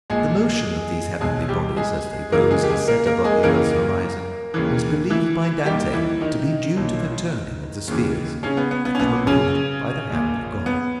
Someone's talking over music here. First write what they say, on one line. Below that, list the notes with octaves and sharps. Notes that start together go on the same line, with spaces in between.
The motion of these heavenly bodies as they rose and set above the earth's horizon was believed by Dante to be due to the turning of the spheres, which were moved by the hand of God.
A#1 A#2 G#3 G#4
B1 B2 G#3 G#4
G3 G4
G#3 G#4
C#2 C#3 E3 A#3 A#4
G#3 G#4
G4
G#3 G#4
A#3 A#4
A#3 A#4
G#3 G#4
D#2 C#3 E3 A#3 A#4
D#2 C#3 E3
E3 E4
D#2 D#3 G3 G4
E3 E4
D#3 D#4
B1 A#2
D#2 C#3 E3
C#3 C#4
B3
B3
B3
C#4
B1 A#2 B3
C#3 C#4
A#1 A#2
B3